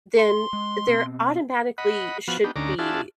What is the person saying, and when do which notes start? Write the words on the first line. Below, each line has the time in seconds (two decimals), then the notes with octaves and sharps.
then there automatically should be,
0.18 C6
0.53 G#3
0.87 B2 B3 C4
1.78 D#5 F#5 B5
2.28 F3 B3 F#4
2.44 B3 D4 D#4 G4
2.56 D2 D3 C#4 D#4 A#5 D6
2.79 D4 F4 F#4 G#4 E5 A5